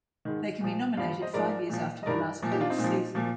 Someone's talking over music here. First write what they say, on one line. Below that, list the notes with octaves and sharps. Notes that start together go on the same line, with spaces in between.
They can be nominated five years after their last college season.
G#2 D#3
A#2 F3
G2 F3 D5 F5
C5 D#5
G#2 F3 A#4 D5
A#2 F3
D#5
G2 D#3 A#4 D5
A#2 F3
D#4 G4
D4 F4
C4 D#4
A#2
F3
A#2 F3